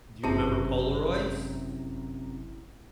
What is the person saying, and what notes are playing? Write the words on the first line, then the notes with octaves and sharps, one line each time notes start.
Do you remember Polaroids?
G1 F#2 C3 C4 E4 G#4 A5 A#5